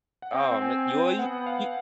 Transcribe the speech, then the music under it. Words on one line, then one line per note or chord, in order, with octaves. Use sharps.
Oh ma well, you you
F#5
C4 G5
G#5
B3 F#5
F5